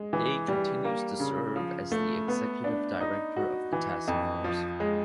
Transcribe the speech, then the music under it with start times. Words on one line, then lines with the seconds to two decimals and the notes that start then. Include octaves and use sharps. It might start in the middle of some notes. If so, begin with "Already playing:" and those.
Day continues to serve as the executive director of the task force.
Already playing: G#3
0.13 E3
0.48 G3
0.85 A#3
1.20 C#3
1.56 F3
1.92 A3
2.28 B3
2.64 D4
3.01 D#4
3.37 F#4
3.72 E3
4.08 F2
4.44 F3
4.80 G#3